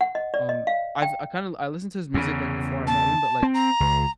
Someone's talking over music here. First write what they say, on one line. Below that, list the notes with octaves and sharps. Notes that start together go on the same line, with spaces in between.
Um, I've I kinda I listened to his music, like, before I met him, but, like,
F#5
D#5
D5
D#5
F5
G5
E2 C#3
A5
C4
A#5
C#2